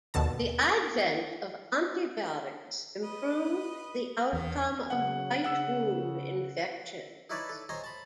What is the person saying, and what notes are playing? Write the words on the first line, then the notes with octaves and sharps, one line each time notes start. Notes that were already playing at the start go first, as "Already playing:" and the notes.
The advent of antibiotics improved the outcome of bite wound infections.
D#2 B2 D3 A5
B4 D#5
E2 D#3
C#3 F#3 F#5
C#3 F#5 E6
D#4 E4 B4 C#5 D5 A5
A4
C5 C#5 D#5 G#5 A#5
A5 B5